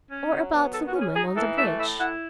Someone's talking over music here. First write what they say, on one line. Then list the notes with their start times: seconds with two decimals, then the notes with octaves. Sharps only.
Or about the woman on the bridge?
0.11 C#4
0.32 F#3
0.52 B3
0.73 D#3 A4
0.88 F#4
0.95 C#4
1.02 G#4
1.15 D#4 G#4
1.36 E3 A4
1.58 A3 E5
1.79 A2 E5
2.00 E4 F#5